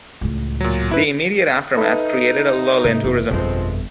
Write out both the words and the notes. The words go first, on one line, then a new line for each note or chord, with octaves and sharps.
The immediate aftermath created a lull in tourism.
C#2 A2
A#2 F#3
F#2 E4 B4
D#4 A4 B4 E5
G#2 C3
F#1 E3
G1 F2 B2 F3 G#3 C4 D4